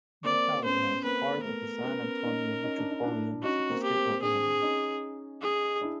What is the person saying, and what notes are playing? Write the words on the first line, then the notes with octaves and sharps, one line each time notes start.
Natalia is part of the San Antonio Metropolitan Statistical Area.
A#3 C4 D5
B3 C#4 C5
A#3 C4 B4
A#3
A3 B3 A#4
B3 C#4
C#4 D#4
C#4 D#4
D4
D#4
D4 E4
C#4 D#4 F#4
A#3 C4
G4
A#3 C4
C4 D4 G#4
C#4 D#4
G#4
D4 E4